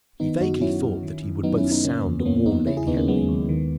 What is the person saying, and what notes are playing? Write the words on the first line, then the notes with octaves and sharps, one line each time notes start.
He vaguely thought that he would both sound and warn Lady Henry.
D#3 B3 D#4
F#2 D#4 F#4
F#3 C#4 E4
F#2
D#3
F#2
F#3 B3 D#4
C#4 E4
F#2
B3 D#4
C#3 A#3 C#4
E2
B3
E3 A#3 C#4
E2 B3 D#4
C#3 C#4 E4
E4 G#4
D#2 B3 D#4
A#3 C#4
F#3 G#3 B3
D#2
D#3